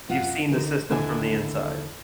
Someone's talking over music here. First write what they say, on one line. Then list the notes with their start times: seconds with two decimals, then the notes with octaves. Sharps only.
You've seen the system from the inside.
0.09 F#2 F4 F#5
0.52 D3 D#4 A#4
0.90 D#2 D3 D4 E4 A4 G#5